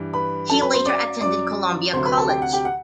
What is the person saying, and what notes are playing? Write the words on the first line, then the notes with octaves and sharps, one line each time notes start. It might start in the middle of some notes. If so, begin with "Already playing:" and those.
He later attended Columbia College.
Already playing: G2 E3
B4 B5
F#2 F#3 A4 A5
B4 B5
C5 C6
D5 D6
F#2 F#3 D5 D6
D2 C3 F#3 C5 C6
B4 B5
A4 A5
G4 G5
F#5
G4 G5
F#5